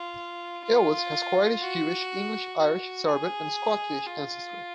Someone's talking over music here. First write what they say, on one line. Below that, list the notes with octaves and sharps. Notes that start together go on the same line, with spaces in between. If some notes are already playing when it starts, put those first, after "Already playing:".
Elwes has Croatian Jewish, English, Irish, Serbian, and Scottish ancestry.
Already playing: F4
F4
F#4
F#4
G#4
F4